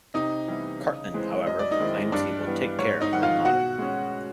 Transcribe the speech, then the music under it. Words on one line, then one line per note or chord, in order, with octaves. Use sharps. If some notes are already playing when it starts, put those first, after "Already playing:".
Cartman, however, proclaims he will "take care" of Bin Laden.
C3 D#4 D#5
E3 G3 B3 E4
C#3
E3 G#3 C4
F#2 D#5
D5
D#4 D#5
D#3 G#3 C4 E4
G2 D4 D5
E3 G3 B3
G#2 C#5
D#4 D#5
D#3 G3 C4 F#5
F4 F5
B2 F#4 F#5
G#3 C#4